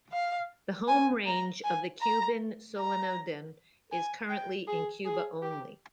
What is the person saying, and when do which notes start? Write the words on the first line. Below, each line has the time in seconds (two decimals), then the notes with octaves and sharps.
The home range of the Cuban solenodon is currently in Cuba only.
0.12 F5
0.88 G#5
1.26 A#5
1.64 G#5
2.01 A#5
2.78 A#5
3.92 G#5
4.29 G5
4.68 G#4
5.05 G#4
5.43 G4